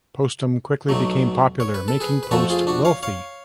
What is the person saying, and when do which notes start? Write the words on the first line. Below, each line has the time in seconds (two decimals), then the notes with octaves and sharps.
Postum quickly became popular, making Post wealthy.
0.89 B1 B2 F#3 A3
1.60 C#5
1.74 B4
1.88 A4
2.00 G#4 B4
2.23 B4
2.31 F2 F3 A3 F#4 A4
2.50 F4 G#4
2.67 D4 F#4
2.85 C#5 F5
3.03 C#5 F5